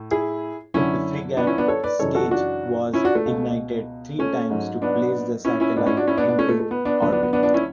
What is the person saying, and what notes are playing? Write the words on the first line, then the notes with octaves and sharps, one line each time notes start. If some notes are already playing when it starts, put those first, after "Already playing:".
The Fregat stage was ignited three times to place the satellite into orbit.
Already playing: A2
E4 G#4
F#2 D3 F#3 C#4 E4
B3 D4
C#4 E4
B3 D4
A4 C#5
B4 D5
F#2 C#3 E3 G#3 A4 C#5
F#4 A4
D4 F#4
C#4 E4
D4 F#4
A3
C#2 B2 G#3
A3 C#4
G#2 F#3
B3 D4
C#4 E4
C#4 E4
G#2 G#3 B3 D4
C#4 E4
D4 F#4
C#4 E4
B3 D4
B3 D4
A3 C#4
A3
A3
B3
B3 D4
D2 D3 F#3 B3 D4
B3 D4
B3
B3 D4
B3 D4
C#4 E4